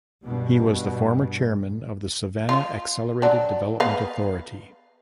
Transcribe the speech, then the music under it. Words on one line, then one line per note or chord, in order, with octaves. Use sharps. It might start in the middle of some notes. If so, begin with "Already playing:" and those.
He was the former Chairman of the Savannah Accelerated Development Authority.
G2 B2
F4
F#3 D4
B3 B4 F5